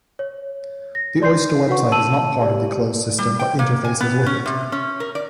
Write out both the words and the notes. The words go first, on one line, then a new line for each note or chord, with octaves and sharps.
The Oyster website is not part of the closed system but interfaces with it.
C#5
A#6
D#4 D5 C6 G6 C7
D4 F#4 B4 F#5 C#6
A5 E6 D#7 F#7
G4 D5
G3
G5
A#3
G#5
B3
C#4
C3
C#4
A#4
D5